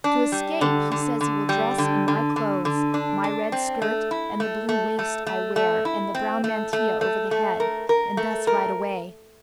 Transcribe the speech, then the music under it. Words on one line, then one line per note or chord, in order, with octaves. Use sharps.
To escape he says he will dress in my clothes, my red skirt and the blue waist I wear and the brown mantilla over the head, and thus ride away.
D4
G3
D3
D3
D3
G3
D3
D3
D3
D3
D4
D4
C4
A3
E4
A3
A3
A3
A3
A3
E4
C4
A3
A3
A3
A3
A#4
A#4
A3
A#4